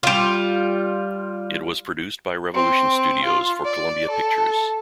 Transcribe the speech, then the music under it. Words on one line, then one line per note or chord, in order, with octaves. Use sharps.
It was produced by Revolution Studios for Columbia Pictures.
G3 F4
C4
F4
D5
A4